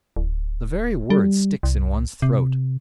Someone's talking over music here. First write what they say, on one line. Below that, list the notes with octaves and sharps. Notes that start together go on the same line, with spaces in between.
The very word sticks in one's throat.
D1
G3
C2
C3